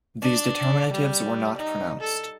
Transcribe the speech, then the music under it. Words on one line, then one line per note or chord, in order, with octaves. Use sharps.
These determinatives were not pronounced.
D4
G3
D#4
A4